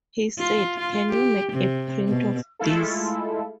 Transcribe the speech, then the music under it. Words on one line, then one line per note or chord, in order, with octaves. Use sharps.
He said, 'Can you make a print of these?
F4
F4
G4
C3
B2
G#3 A3 E4 F4 A4